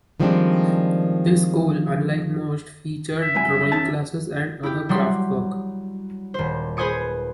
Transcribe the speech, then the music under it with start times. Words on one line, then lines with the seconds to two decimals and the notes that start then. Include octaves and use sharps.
This school, unlike most, featured drawing classes and other craftwork.
0.20 D#3 F3 G3 G#3 C4 D4
3.22 E5
3.35 C2 F#2 G#5
3.72 C#4 D#4 A5
4.63 E4 G4
4.89 F#3 G3 F#5 C6 B6
6.34 D#1 C5
6.77 G#4 B4 C5 G#5 D#6 C#7